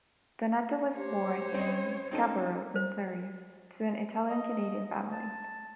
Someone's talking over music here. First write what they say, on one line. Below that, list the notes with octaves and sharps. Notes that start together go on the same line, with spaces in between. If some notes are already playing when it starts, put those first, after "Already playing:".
Donato was born in Scarborough, Ontario, to an Italian Canadian family.
G4 C5 C#5
C4 C#4 D#5
C4 C#4 D#4 A4
C5
D#5
A5